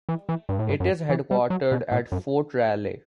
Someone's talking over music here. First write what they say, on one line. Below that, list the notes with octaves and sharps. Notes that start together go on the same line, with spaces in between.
It is headquartered at Fort Raleigh.
E3
E3
G2
A2
G2
F#2
E3
G3
F#3
B2
A2
F#2